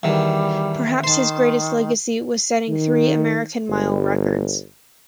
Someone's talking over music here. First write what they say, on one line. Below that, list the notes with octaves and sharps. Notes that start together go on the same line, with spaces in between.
Perhaps his greatest legacy was setting three American mile records.
E2 D#3 G3
D#3 C5 A5
D#3
G1